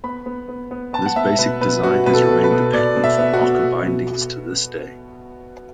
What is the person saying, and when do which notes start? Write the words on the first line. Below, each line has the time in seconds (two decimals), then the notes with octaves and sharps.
This basic design has remained the pattern for Marker bindings to this day.
0.04 B3 B5
0.26 B3
0.49 B3
0.71 B3
0.93 B3 A5
1.06 F#5
1.16 B3 E5
1.39 B2 B4
1.61 B2 B4
1.83 B2 F#4
2.06 B2 B4
2.13 A4
2.29 B2
2.44 B4
2.51 B2
2.73 B2 D5
2.96 B2
3.04 E5
3.18 B3
3.34 F#4
3.41 B3
3.64 B2
3.86 B2